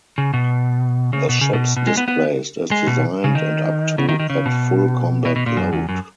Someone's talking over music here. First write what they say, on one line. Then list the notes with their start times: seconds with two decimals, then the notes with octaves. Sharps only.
The ships displaced as designed and up to at full combat load.
0.18 C#3
0.34 B2
1.13 C#3
1.29 B2
1.41 C#3
1.53 B2
1.77 B2
1.87 G#3
1.97 B3
2.08 B3
2.71 G#3
2.87 B2
3.24 C#3
3.35 D#3
3.98 C#3
4.09 D#3
4.20 D#3
4.30 C#3
4.46 B2
5.25 B2
5.36 B2
5.46 A#2
5.57 F#2
5.73 E2
5.89 F#2